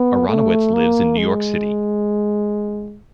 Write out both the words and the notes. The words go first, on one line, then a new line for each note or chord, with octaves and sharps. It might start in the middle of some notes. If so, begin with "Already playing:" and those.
Aronowitz lives in New York City.
Already playing: B3
A3
A#3
G#3